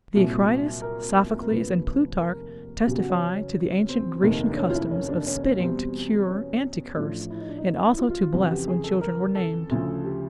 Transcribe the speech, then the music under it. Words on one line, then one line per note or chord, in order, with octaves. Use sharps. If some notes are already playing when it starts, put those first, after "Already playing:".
Theocritus, Sophocles, and Plutarch testify to the ancient Grecian customs of spitting to cure and to curse, and also to bless when children were named.
C2 A#2 F#3
A#4
A#4
F1 D#2 D3 F3 B4
A#4
E2 C#3 F#3 G4
F#4
C#4
C4
F1 D#2 D#3
D4
C#4
F4
E4
C#4
D4
C#4
C#4
E2 B2 G3 C4
C#4
A1 A2 F3 D4
E4
D#4
D4
D#4
E4
F4
F4
F4
F2 C#3 E3 F#4
G4
G#4
A4
A#4
A4
D2 C#3 F3
G4